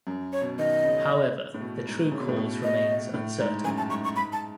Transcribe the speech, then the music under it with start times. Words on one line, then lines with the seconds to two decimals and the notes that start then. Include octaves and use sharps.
However the true cause remains uncertain.
0.07 F#2
0.33 C#5
0.41 B2
0.59 D#3 D#5
0.84 C#3
1.54 A2
1.61 B2
1.87 G#2
2.12 C#3
2.20 B2
2.29 A2
2.36 B2
2.63 D#5
3.14 A2
3.39 G#2
3.64 F#2 G#5
3.78 A5
3.90 G#2 C#6
4.04 C#6
4.16 G#2 B5
4.33 A5